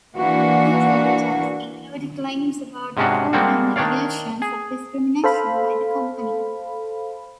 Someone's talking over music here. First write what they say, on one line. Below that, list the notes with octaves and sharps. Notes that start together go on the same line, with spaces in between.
These legends include claims about the food and allegations of discrimination by the company.
E3 A#3 D4 F#4
G#2 C3 G#3 C#4 D4 F#4
G3 G#3 A#3 C4 D4 F#4
D#3 D4 C#5 D5 F5
G#4
A4 C5 F5 B5